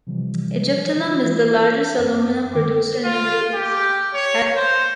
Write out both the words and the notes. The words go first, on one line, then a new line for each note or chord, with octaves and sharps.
Egyptalum is the largest aluminium producer in the Middle East.
C3 E3 F3 G3
E3 E4 F4
F#2 C4
D3 D#3 G5 D6
F4
G4
C#5
C5